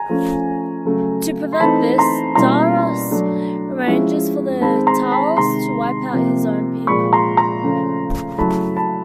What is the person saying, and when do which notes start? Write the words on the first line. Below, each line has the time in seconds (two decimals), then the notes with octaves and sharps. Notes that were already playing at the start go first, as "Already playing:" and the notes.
To prevent this, Davros arranges for the Thals to wipe out his own people.
Already playing: G#5 A#5
0.09 F3 A3 C#4
0.85 C#3 F#3 A3
1.53 C6
1.60 E3 A3 C4 D#4 A5 B5
1.98 A#5 C6
2.35 B2 G3 A#3 C#4 E4 A#5 C6
3.11 F#3 A3 D4
3.87 F3 G#3 C#4 E4
4.61 D#3 G#3 C4 A5 B5
4.87 A#5 C6
5.11 A5 B5
5.37 C3 D#3 G#3 A#5 C6
6.13 C3 F3 A#3
6.87 A#2 F3 G#3 B5 C#6
7.13 A#5 C6
7.37 A#5 C6
7.63 C#3 F3 A3 C#4
8.38 C#3 F#3 A3 C#4 E4 A5 B5
8.77 A5 B5